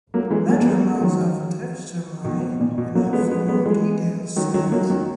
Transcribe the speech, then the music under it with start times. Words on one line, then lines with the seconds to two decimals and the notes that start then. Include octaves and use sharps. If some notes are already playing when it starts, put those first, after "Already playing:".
Larger amounts of texture memory allow for more detailed scenes.
0.14 F#3 A#3
0.30 E3 G#3
0.48 F#3 A#3
0.61 A#3
0.66 G#3 B3
0.92 G#3
1.01 D#3 F#3
2.24 B2 D#3
2.42 B2
2.60 A#2
2.78 B2
2.95 F#3 A#3
3.13 G#3 B3
3.30 G#3 B3
3.48 G#3 B3
3.66 E3 G#3
4.36 D#3 F#3
4.54 D#3 F#3
4.72 F#3 A#3
4.90 D#3 F#3